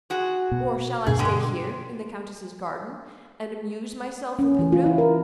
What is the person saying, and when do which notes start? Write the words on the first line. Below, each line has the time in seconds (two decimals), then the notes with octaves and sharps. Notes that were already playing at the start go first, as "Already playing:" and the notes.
Or shall I stay here, in the Countess's garden, and amuse myself with Udo?
0.10 F#4 G#4
0.52 B2
1.06 G2 B2 D4 G#4
1.19 D3 G#3 G4
4.39 C#4
4.59 E3
4.72 F4
4.86 E4
4.98 A#4